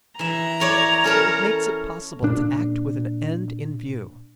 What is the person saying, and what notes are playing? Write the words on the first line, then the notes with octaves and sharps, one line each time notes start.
It makes it possible to act with an end in view.
E3 E5 A#5
E4 C#5 D5
C#4 A4 A#4
A#2 D4